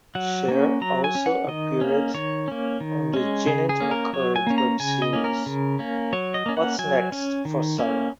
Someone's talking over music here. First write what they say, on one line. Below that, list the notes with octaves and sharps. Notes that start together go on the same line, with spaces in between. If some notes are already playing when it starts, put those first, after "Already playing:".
Scheer also appeared on the Jennette McCurdy web series What's Next for Sarah?
F#3 F#5
A#3 C#4
F#3 A#5
G#5
C#4
F#5
D#3 D#5
A#3 C#4
D#3 C#5
A#3 C#4
D#3
G#3 C#4
C#3 G#4
G#4
A#3 C#4
A#4
F#3 C#5
G#5
A#3 C#4
A#5
C#3 G#5
D#5
A#3 C#4
A#4
C#3
A#3 C#4
F#3 C#5
D#5
A#3 C#4
F#5
F#3 G#5
C#4
D#3
A#3 C#4